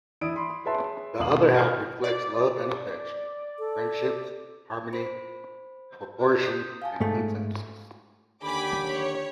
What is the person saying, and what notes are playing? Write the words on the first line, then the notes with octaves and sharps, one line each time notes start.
The other half reflects love and affection, friendships, harmony, proportion and consensus.
E3 E4 D5 D#6 D7
B5 C6 D#6
G#4 B4 C#5 E5 A5 C6
G#1 B2 F5 D#6 F#7
B5 F6
D5
A4
C5 B5
D#6 F#6 G6
F5 G#5 A5
G#2 A3
D#2 D3 G4 G#5 B5 D6
C#5